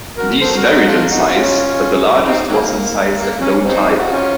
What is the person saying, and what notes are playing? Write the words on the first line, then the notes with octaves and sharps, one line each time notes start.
These varied in size, but the largest was in size at low tide.
F#4 A#4
A4 C5
C5
F#4 A#4
D#4 F#4
F4 A4
D#4 F#4
F#4
C#4 F4
C4 D#4
D#3 F#3 A#3
A#3
C#4
C4 D#4
F#4
C#4 F4